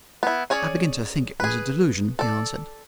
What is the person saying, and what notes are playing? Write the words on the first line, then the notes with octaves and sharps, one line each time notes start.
"I begin to think it was a delusion," he answered.
B3 E4
C#4 G#4 C#5 D5
G#4 B4
A4 D5